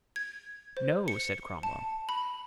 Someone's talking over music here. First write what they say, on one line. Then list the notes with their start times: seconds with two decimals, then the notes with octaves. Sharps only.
"No," said Cromwell.
0.16 G#6
0.77 C5
1.08 C#7
1.63 A5
2.09 B5